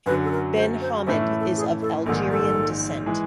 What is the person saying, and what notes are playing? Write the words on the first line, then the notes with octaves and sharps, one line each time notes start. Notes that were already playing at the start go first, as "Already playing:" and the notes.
Ben Hamed is of Algerian descent.
F#2 D3 F#3 B4
A4
A#4
C5
C5
A2 E3 A3 C#4 E4 C5
A4
G#4
A4
A#1 G#2 D#3 A4
A4
E3 G#3